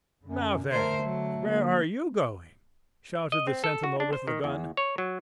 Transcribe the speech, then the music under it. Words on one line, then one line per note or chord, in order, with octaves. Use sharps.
"Now, then, where are you going?" shouted the sentinel with the gun.
F#2 D3
A3 A#4 C5
F#3
D3 A#3
D#5
C4
A4
F#4
D4
C5
D#3
E2
C#5
F#3